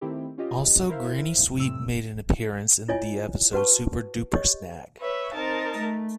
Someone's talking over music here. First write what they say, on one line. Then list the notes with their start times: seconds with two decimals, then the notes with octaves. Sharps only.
Also, Granny Sweet made an appearance in the episode Super Duper Snag.
0.01 D#3 A3 C4 E4 G4
0.38 C#4 F4 G4 D#5
0.89 E4 A#4 C5 E5 F5
1.56 F2 A2 C3 E6
2.88 E4 F4 C#5 D#5 G#5
3.53 F#4 B4 F#5 A5 C#6
4.32 G4 C#5 D#5
4.99 B4 C#5 E5
5.34 C4 D#4 A#4 A5
5.78 A3